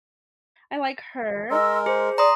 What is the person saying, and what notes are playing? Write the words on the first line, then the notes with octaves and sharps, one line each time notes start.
I like her.
G#3 A#4 D#5 C6 E6
G#4 C5
D5 A#5 C6 D#6